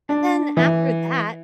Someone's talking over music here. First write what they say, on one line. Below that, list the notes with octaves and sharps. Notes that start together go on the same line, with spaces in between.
And then, after that
D4
E3